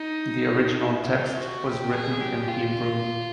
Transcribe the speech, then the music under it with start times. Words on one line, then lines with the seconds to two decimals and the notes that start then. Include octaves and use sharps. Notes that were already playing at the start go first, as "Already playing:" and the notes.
The original text was written in Hebrew.
Already playing: D#4
0.80 E4
1.08 F4
1.36 F#4
1.64 G4
1.93 G#4
2.21 G4
2.48 F4